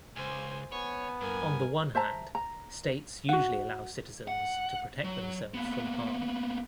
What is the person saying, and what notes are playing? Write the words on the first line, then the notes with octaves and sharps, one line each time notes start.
On the one hand, states usually allow citizens to protect themselves from harm.
C#2 C5 G#5
B3 C#5 G#5
G2 A#4 G#5
C5 E5 A5 A#5
A#5
F#4 F#5
F#5
F#3
A#3 B3